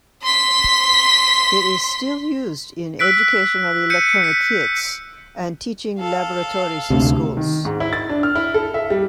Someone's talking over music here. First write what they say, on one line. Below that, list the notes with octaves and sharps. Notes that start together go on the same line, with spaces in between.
It is still used in educational electronic kits and teaching laboratories in schools.
C6 B6
E6 F#6 B6 D7
G6 C#7 D#7
B6
A4 F5
D2 C3
D#3
G#2
E4
A6
D4
F6
E4
A4
E5
G3